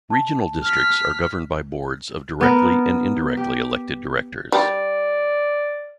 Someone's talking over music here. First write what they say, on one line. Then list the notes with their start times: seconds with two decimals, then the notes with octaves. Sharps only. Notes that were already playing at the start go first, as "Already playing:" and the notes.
Regional districts are governed by boards of directly and indirectly elected directors.
0.10 A5
0.62 F6 B6
2.41 B3 A#4
3.37 G4
4.52 G3 D5